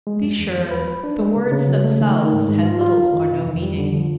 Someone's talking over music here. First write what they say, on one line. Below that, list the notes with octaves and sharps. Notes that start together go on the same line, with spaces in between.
To be sure the words themselves had little or no meaning.
G#3
F#2
E2
E2
B4
B4
D4
G#3
C#3
C#3
F#3
A3
D#3
D#3
G#2
G#2
F4
F4
F#2
D#3
C3
F2
G3
D3
F3